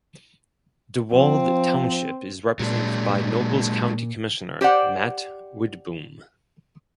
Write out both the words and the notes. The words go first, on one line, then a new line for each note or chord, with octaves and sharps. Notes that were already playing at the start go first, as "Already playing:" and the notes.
Dewald Township is represented by Nobles County Commissioner Matt Widboom.
F3 C4
A#2 F#3 G#3 D4
G4 C5 D5 F#5